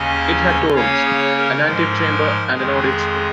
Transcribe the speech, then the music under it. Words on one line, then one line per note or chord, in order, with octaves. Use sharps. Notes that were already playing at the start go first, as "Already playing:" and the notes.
It had two rooms: an antechamber and an audience room.
Already playing: D#2 C#3 A#3 C#4 D#5 G#5
C#3 A#3 C#4 C#5 F5
G#4 C#5
A#4
G#2 F3 G#3
F2 D#3 G#3 G#4